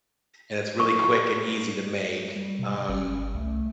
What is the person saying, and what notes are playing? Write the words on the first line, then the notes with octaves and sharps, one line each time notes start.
and it's really quick and easy to make. Um,
C#6
G3
B2
G1 C#4
C2 A3